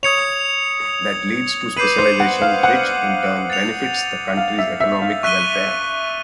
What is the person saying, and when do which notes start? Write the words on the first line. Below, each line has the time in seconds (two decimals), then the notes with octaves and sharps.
That leads to specialization, which in turn benefits the country's economic welfare.
0.03 C#5 D#6 G#6 C#7 F7
1.76 B4 D6 G6 C7 D#7 F#7
1.98 C5
2.20 F#5
2.42 F5
2.63 F#5
3.50 A6 C#7 F7
4.37 F5
4.58 E5
4.80 E5
5.02 F5
5.23 E5 C#6 F#6 B6 D#7 G7